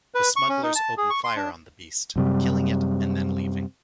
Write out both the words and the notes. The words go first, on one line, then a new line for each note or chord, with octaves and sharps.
The smugglers open fire on the beast, killing it and then leaving.
B4
C#6
C#4
D#4
A5
G#4
C#6
C6
D4
F#2 C3 G3